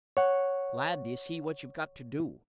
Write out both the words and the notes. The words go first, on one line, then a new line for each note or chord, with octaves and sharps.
"Lad, d'ye see what you've got to do?"
C#5 F#5